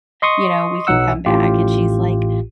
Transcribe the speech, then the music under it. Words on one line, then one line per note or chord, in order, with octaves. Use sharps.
you know, we can come back." And she's like,
D#5 C6 C#6 D#6
B1 F#3 D#4 F#5 E6
A1 A2 F4 G4